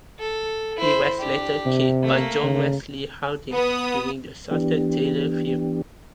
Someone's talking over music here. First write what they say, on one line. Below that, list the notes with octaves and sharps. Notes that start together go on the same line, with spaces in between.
He was later killed by John Wesley Hardin during the Sutton-Taylor feud.
A4
E4 C5
D4 G4
C3
A3 A#3
C#3
B3 D#6
E3 B3 D4 G4